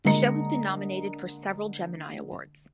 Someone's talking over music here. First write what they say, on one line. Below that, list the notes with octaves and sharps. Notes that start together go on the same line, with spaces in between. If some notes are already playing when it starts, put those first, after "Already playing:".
The show has been nominated for several Gemini Awards.
D3 G#3 A#3 D#5 A#5 C#7